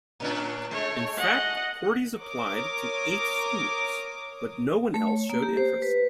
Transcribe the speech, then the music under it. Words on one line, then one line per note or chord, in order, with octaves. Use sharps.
In fact, Cordes applied to eight schools, but no one else showed interest.
A2 C#4 D4
G#3 A3 C#5
D#5 F#5
A#4 C#5 D6 D#6
A3
C#5
A#3
G4
C5
B4